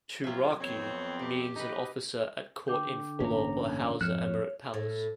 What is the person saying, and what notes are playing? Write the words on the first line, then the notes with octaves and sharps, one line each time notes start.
Turaki, means an officer at court in Fula or Hausa emirate palace.
C2 F#3 F4 E5
F2 B3 C4 C#5
C3 G4
D#4 B4
D3 G5 D6 G6
A1 G2 A#3 C#4 A#5
F2 G#2 F3 C#5 F6 F#6 C#7 E7
A2